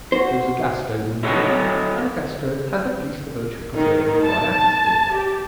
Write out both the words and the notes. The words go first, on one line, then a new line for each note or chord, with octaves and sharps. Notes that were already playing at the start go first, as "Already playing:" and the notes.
There was a gas stove in the room, and a gas stove has at least the virtue of preserving a dry atmosphere.
F#4 C5
E4 F#4 A4 C#5 D#5 F#5
D#3
A5
G4